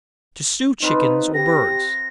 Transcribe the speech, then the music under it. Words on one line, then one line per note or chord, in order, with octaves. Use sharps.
To Stew Chickens or Birds.
C4 D#4 F4 B4
G4 A#6